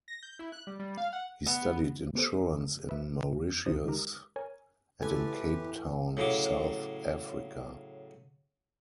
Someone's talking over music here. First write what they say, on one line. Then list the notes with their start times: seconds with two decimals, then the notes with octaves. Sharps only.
He studied insurance in Mauritius and in Cape Town, South Africa.
0.08 A#6
0.23 G6
0.39 E4
0.52 F#6
0.67 G3
0.79 G3
0.98 F5
1.13 F#5
1.47 B3
2.15 B3 G4 A4 C5
2.89 B4 E5
3.65 D2 D3 D#3 D#4 C5 D#6
3.85 D#3 G#3 D#4 G4 A#4
4.36 A#4 C#5 G#5
5.02 A1 E3 G4 A4 B4 G#5
6.17 A2 C#3 F#3 D6